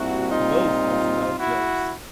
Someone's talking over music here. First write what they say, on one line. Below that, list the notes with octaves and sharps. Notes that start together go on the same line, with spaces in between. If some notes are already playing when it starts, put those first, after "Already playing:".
Both have now closed.
Already playing: A#2 G3 C4 E4 F#4
D#4 F4
E4 F#4